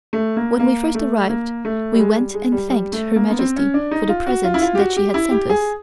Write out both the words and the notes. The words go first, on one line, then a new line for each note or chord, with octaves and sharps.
When we first arrived we went and thanked Her Majesty for the present that she had sent us.
A3
A#3
A#3
A3
A#3
A3
G3
G#3
G3
G#3
G3
G3
A3
A#3
B3
C4
C#4
D4
D#4
F4
F#4
F4
E4
F4
G4
F#4
G4
E4
G4
G#4